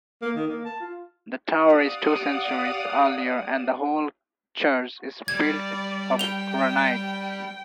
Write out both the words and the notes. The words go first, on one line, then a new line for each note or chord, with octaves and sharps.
The tower is two centuries earlier and the whole church is built of granite.
A#3
D#3
A#3
A5
F4
G4 D5 F5 F#5 D#6
G3 D5 G#6
G5 F7 G7